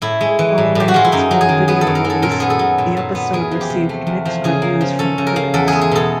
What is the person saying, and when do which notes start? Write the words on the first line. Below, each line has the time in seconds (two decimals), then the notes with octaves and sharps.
Following its home video release, the episode received mixed reviews from critics.
0.02 A2 E4
0.21 G#3
0.39 E3
0.58 A2
0.75 A2 G4
0.88 F#4
0.94 G#3 F4
1.05 E4
1.12 F#2 D#4
1.31 F#3
1.41 G#4
1.49 D#3
1.68 B3 G#4
1.81 A4
1.87 F#2
1.95 A#4
2.04 F#3
2.10 A4
2.22 A#2 A#4
2.32 A4
2.40 B3 G#4
2.50 A4
2.59 F#3
2.78 A#2
2.97 A#2
3.15 B3
3.33 E2 G#4
3.51 F3
3.61 G4
3.70 C3
3.89 A3
4.07 E2
4.25 F3
4.44 C#3 G#4
4.62 A#3
4.81 F3
4.99 C#4 A4
5.18 C#3
5.27 A#4
5.36 A#3
5.54 E2 A4
5.68 G#3 G#4
5.81 G#4
5.91 B2 A4